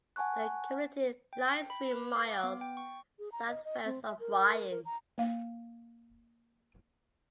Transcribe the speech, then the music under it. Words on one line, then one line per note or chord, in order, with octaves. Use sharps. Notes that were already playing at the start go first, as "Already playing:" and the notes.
The community lies three miles southwest of Ryan.
F#5 G#5 A5 C#6 F#6
G5
G5
B5
B4
F5
D6
B3
G5
C#6
G#4
A#5
D#5
D#5
C4
E5
A#4
A#4
A#5
A#3 F5